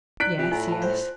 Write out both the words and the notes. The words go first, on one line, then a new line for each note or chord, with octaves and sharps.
"Yes, yes."
E4 G4 D5 F#6 B6 D7
C3 F4
A2 E4 G#5
A5 B5
C5